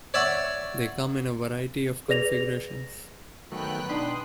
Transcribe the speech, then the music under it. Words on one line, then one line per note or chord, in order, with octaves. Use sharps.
They come in a variety of configurations.
C#5 D5 E5 F#5
G#4 B4 D5 A#6 F7
D#3 F#3 A3 B3 G5 F#6
B2 D4 D#4 B5 C6 D#6